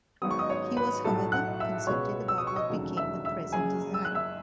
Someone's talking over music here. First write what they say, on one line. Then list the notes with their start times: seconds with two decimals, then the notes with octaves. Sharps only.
He was however consulted about what became the present design.
0.22 G#1 G#2 F#3 B3 D#6
0.31 C#6
0.39 D#5 D#6
0.50 C#5 C#6
0.77 B4 B5
1.04 B1 A2 F#3 A3 A4 A5
1.32 F#5 F#6
1.60 E5 E6
1.87 C#2 B2 G#3 B3 C#5 C#6
2.28 E6
2.38 D#6
2.47 C#6
2.56 D#5 D#6
2.70 E1 D#2 C#3 F#3 A3
2.97 E5 E6
3.25 E5 E6
3.52 F#1 F#2 C#3 G#4 G#5
3.94 E6
4.05 F#6
4.15 E5 E6